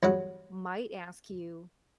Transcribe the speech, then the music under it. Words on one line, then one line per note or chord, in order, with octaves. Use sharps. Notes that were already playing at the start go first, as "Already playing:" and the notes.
might ask you
E2 G2 F#3 F#5